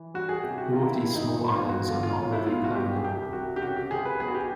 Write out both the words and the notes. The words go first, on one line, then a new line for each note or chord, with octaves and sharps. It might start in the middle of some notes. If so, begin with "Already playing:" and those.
All of these small islands are not very permanent.
Already playing: E3
G3 F#4
G#4
C3 G4
F#4
D#3 F4
E4
G2 E4
D#4
F3
F4
E2
F#4
D3 F4
F4
F#3 F4
E4
B2 F4
F#4
G3 G4
G#4
C2 G4
C2 F#4
G4
C#3 F#4
G4
C#2 G#4
B4
B1 G#4
F#4
G4